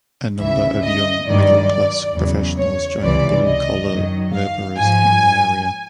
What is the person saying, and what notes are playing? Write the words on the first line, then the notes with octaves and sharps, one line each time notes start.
A number of young middle-class professionals joined blue-collar laborers in the area.
D2 C#3 E3 E5
D#5
G2 D#3 F#3 D5
E2 C#3 F#3
C#5
C#2 C3 E3 D5
D#5
F#2 D#3 F#3
F5
G#2 F3 G#5